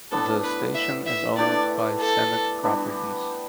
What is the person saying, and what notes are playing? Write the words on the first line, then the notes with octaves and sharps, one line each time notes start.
The station is owned by Senate Properties.
A2 E3 B3 D4 A4
B4
E5
E5
E3 A3 D4 G4 D5
A4
E3 G3 B3 D4